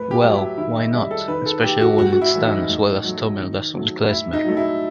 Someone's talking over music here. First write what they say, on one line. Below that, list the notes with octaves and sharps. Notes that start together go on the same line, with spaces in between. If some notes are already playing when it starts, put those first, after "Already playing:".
Well, why not, especially when it's done as well as Tummel does on Klezmer.
Already playing: A2 B4
G4
F#3 A3
E4
D#3 E4
D#4
G3 E4
A4
D#3 B4
A4
A3 G4
F#4
A2 F#4
F#4
E4
E3 A3
D#4
A2
F#3 A3
D#3
F#3 A3
A2 E4
D#4
F#3 A3
E4